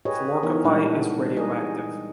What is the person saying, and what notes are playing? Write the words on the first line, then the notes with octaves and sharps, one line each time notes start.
Fluorcaphite is radioactive.
G4 G#4 B4 C#5 D#5
E3 B3 D#4 A#4
A#2 G3 G#3 D4 D#4 F#5
G3 G#4 D#5